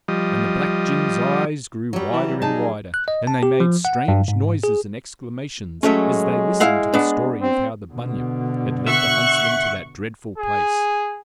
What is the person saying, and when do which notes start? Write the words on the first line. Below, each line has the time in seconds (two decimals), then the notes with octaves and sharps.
And the Black gins' eyes grew wider and wider, and they made strange noises and exclamations, as they listened to the story of how the "Bunyip" had led the huntsmen to that dreadful place.
0.08 F3 G3 D#5
1.93 F#3 G3
2.13 E3
2.42 D#4 G#4 A5
2.94 F#6
3.08 D#5
3.27 A5
3.43 G4
3.60 F3
3.85 F#5
4.08 G2
4.28 G#2
4.64 G#4
5.83 F#3 G#3 A3 C#4
6.60 E4 F5 F#5
6.94 B3 D4
7.41 C4
7.93 B2 D3
8.87 E5 F#5 C#6 F#6
10.38 G#4